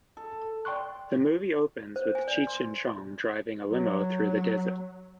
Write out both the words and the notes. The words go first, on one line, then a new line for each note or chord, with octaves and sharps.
The movie opens with Cheech and Chong driving a limo through the desert.
A4
D5 G5 C6 C#6 F#6
C5
G#5
D5
C6
F#3